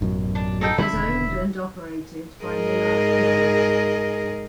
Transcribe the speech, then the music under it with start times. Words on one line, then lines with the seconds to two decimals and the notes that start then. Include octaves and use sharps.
It was owned and operated by Millard Kibbe.
0.01 A1 F#2 B2
0.35 D4
0.61 D#4 A4 G5
0.78 D3 D#3 C4 E4 E5
0.93 E1
2.45 G#2 G#4 A#4 D#5